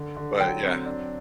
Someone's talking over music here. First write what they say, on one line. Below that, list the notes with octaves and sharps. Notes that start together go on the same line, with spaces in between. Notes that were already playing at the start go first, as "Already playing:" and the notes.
but, yeah.
Already playing: D3
D3
F#3 G5
C4
D4